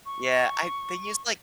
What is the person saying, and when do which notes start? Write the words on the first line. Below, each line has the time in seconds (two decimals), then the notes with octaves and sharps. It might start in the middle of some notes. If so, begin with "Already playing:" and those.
Yeah, I they use, like
0.06 C#6